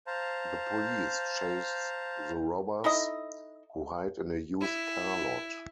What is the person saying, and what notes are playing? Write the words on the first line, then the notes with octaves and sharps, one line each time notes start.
The police chase the robbers, who hide in a used car lot.
C5 F5 A5 A#5
D#4 E4 A4 D#5
E4